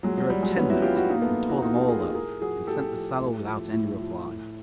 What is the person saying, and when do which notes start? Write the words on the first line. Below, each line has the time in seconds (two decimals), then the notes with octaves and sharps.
He wrote ten notes, and tore them all up, and sent the saddle without any reply.
0.03 A#2 F#3 G#3
0.18 F#3
0.30 F3 G3
0.43 F#3 G#3
0.56 A#2 B3 C#4
0.69 E4 F#4
0.82 F3 F4 G4
0.95 E4 F#4
1.09 A#2 D#4 F4
1.16 A#3
1.22 A3 B3
1.36 F3
1.49 E4 F#4
1.62 A#2 D#4 F4
1.75 F4 G4
1.88 F3 G#4 A#4
2.01 G#4 A#4
2.14 A2 G#4 A#4
2.41 F3 F#4 G#4
2.67 A2 G4 A4
2.94 F3
3.21 A2
3.47 F3
3.73 A2
4.00 F3
4.26 A2